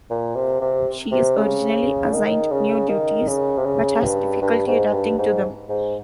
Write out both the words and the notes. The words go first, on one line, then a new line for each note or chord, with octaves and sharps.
She is originally assigned new duties, but has difficulty adapting to them.
A#2
C3
C3
C3
C#3
D#3
C#3
D#3
C#3
C3
C#3
G2
G2
G#2
G2
G#2
G#2